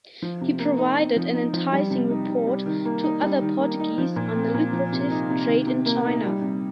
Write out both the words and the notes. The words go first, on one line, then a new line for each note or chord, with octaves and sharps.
He provided an enticing report to other Portuguese on the lucrative trade in China.
F3
C3
A#3
D#4
C4
F3
D#4
F3
G3
C3
D#4
C3
G3
D#3
A#3
D#4
G3
D#3
A#3
D#4
F3
A#2
C4
A#2
F3
C3
D#4
C3
D#3
C3
A#3
D#4
G3
C3